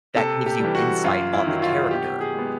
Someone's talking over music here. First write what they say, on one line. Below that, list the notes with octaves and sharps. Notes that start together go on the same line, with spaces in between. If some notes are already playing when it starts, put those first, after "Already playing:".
that gives you insight on the character.
C3 A4
G4
E3 G3
F#4
F#2 F4
E4
D#3 F#3
F4
B2 G4
G#4
G#3 B3